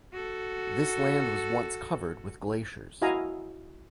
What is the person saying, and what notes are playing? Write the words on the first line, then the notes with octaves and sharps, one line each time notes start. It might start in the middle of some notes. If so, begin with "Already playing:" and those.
This land was once covered with glaciers.
F#4 A4
E4 F#4 D#5 F5 G#5 A#5